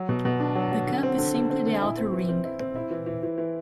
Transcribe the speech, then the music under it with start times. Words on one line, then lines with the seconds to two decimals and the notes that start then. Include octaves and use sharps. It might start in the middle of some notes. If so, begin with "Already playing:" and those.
The cup is simply the outer ring.
Already playing: F#3
0.09 B2
0.25 B2
0.40 D4
0.55 F#3
0.72 F#3
0.87 D3
1.03 C4
1.18 D3
1.34 D3
1.50 C4
1.66 D3
1.82 E4
1.97 C4
2.13 E3
2.29 C4
2.44 E4
2.60 C4
2.75 E4
2.91 E3
3.06 E3
3.23 E3
3.38 E3